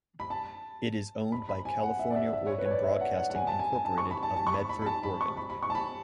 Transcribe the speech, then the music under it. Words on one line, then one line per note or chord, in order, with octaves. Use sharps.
It is owned by California Oregon Broadcasting, Incorporated of Medford, Oregon.
B5
A5
B5
B5
G#5
F#5
E5
D5
E5
E5
C#5
B4
C#5
D5
E5
F#5
F#5
F#5
G#5
A5
G#5
G#5
A5
C#6
B5
A5
A5
C#6
B5
B5
B5
A5
B5
C#6
B5
B5
C#6
A5
B5